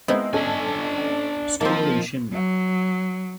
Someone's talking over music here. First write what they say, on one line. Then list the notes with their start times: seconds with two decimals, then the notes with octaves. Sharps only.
School in Shimla.
0.08 G#3 B3 C4 D#4 E4
0.33 C#4 D4 A4 D#5 G#5
1.61 F3 A#3 C4 D#4 A5
2.32 F#3